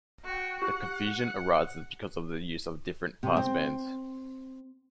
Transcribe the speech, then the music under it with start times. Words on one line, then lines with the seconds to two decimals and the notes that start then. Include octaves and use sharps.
The confusion arises because of the use of different passbands.
0.24 F#4 G5
0.62 G4 F#5
3.23 C3
3.37 C4